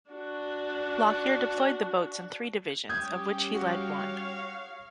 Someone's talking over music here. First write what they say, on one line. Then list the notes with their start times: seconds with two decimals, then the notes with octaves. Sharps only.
Lockyer deployed the boats in three divisions, of which he led one.
0.11 D4 F#4
2.89 G3 C#4 G4 D#6 G6 G#6
3.55 F#4 C#5 F5